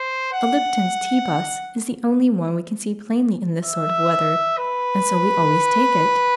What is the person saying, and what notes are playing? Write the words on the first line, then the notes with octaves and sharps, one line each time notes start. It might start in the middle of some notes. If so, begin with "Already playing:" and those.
A Lipton's Tea 'bus is the only one we can see plainly in this sort of weather, and so we always take it.
Already playing: C5
F#5
E5
B4